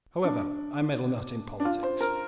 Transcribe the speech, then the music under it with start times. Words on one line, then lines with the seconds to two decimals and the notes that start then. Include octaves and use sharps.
However, I meddle not in politics.
0.24 D4
1.60 D4
1.65 F4
1.83 C5
2.00 A#4